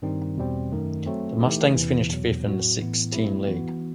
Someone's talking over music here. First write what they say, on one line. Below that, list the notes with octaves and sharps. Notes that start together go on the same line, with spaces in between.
The Mustangs finished fifth in the six team league.
G2 D#3 G3 C4 D#4
E2 B2 G3 C4
F#2 D#3 A3
F#3 A3 C4
E3 A3 D#4 G4
E2 C3 E3
E2 B2 F#3
A2 F#3 C4 F#4
A2 E3 B3 E4
F#3 A3 C4 E4 G4
E3 B3 F#4